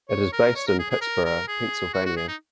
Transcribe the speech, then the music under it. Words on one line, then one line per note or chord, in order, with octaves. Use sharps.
It is based in Pittsburgh, Pennsylvania.
C#5
A#4
C#5
A#4
G#4
G#4
A#4
A#4
G#4
F#4
F#4
G#4
D#4